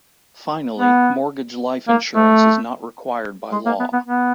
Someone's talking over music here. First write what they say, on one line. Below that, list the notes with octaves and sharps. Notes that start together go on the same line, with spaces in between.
Finally, mortgage life insurance is not required by law.
B3
A#3
A3
G#3
A#3
B3
B3
B3